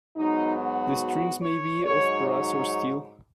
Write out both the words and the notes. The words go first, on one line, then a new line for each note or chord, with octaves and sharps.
The strings may be of brass or steel.
G#2 F#3 B3 D#4
F#4
C#5
G#2 F#3 D#4 C#5
C#5